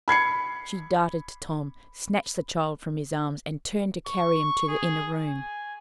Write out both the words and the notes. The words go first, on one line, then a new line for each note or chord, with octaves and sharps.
She darted to Tom, snatched the child from his arms, and turned to carry him to the inner room.
B5 G#6 C7 C#7
C#6
G#4
G#5